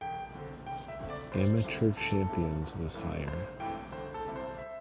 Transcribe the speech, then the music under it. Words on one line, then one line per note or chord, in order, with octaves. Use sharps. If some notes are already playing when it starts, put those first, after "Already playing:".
Amateur champions was higher.
E1 G5
D2 D3 C4
E1 G5
E5
D2 D3 C4
D5
G2 C5
D3 G3 C4 E4
G2 A4
D3 G3 C4 E4
G1
G2 E3 A3 C4
G1 C5
G2 E3 A3 C4 G5
D2 C5
A4
C3 G3 C4 E4
C5
E5